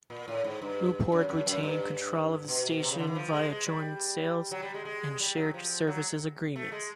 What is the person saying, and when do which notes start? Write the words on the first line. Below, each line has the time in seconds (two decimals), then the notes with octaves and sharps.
Newport retained control of the station via joint sales and shared services agreements.
0.10 A#2
0.28 A2
0.44 G#2
0.62 G2
1.12 F#2
1.29 F#2
1.46 F#2
1.63 G2
2.48 B2
2.82 C3
2.90 C#3
2.99 D3
3.07 E3
3.15 F3
3.33 G#3
3.50 G#3
3.66 G3
4.51 F#3
4.63 G3
4.74 G#3
4.85 G#3
5.20 G3
5.36 F#3
5.54 F3
5.87 F#3
6.56 A3
6.72 G#3